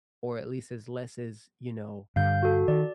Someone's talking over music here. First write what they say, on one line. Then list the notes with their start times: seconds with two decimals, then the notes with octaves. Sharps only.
or at least as less as you know,
2.16 G2 D3 F5 G6
2.43 F#4 A4
2.68 D#3 D5